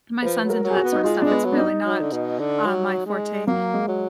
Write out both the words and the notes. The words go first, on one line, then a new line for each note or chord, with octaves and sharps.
My son's into that sorta stuff, it's really not, um, my forte.
F3 B4
F#3
A#4
F#3
G#4
F#4
B3
D#4
G#3 F4
G#3 D4
B3
F#3
D4
D#4
F#3
D3
B2
D3
F#3
G#3
F#3 A#3
G#3
F#3